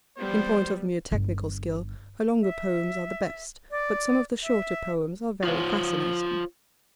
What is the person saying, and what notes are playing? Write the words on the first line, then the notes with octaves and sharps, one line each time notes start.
In point of mere technical skill, her longer poems are the best; but some of the shorter poems are very fascinating.
F3 G3 B3 C5
G1
E5
D5
E5
F4 C5 C#5